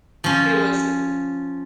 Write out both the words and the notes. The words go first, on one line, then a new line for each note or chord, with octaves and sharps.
It was
F3 C#4